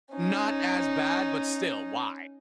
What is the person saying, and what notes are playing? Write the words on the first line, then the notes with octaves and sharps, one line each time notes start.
not as bad, but still, why?"
C#4 D#4